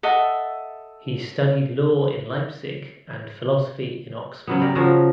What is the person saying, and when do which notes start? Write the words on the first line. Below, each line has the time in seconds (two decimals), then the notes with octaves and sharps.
He studied law in Leipzig and philosophy in Oxford.
0.03 A4 D#5 E5 F#5
4.47 C#3 F#3 B3
4.61 G4 A#4 D5
4.75 C#3 F3 F#4 A#4